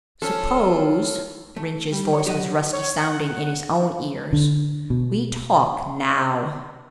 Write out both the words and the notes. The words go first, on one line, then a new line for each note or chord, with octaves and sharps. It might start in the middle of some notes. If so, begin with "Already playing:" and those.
"Suppose," Rynch's voice was rusty sounding in his own ears, "we talk now."
F3 C#4 A4
A3
G3
C#5
F#3 G4 D#5 F#5
C#5
F#5
D3
B2